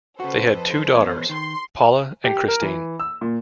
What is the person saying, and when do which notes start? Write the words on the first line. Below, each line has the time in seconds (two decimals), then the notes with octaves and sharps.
They had two daughters, Paula and Christine.
0.20 C#3 F#4 A4 B4 C5
0.54 F2
0.93 E2 B2 C#5
1.29 D#3 C6
2.24 G4
2.48 A#4
2.62 E3
3.00 E6
3.21 A#2